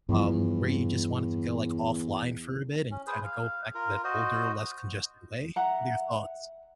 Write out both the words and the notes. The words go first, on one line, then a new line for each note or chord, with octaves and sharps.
um, where you just wanted to go, like, offline for a bit and kinda go back to that older, less congested way? What are your thoughts?
E2 G2 F3
C#4
G#4 B4 C5
F5
F4 A#4
F#4 C5 D#5
E5 F#5 A#5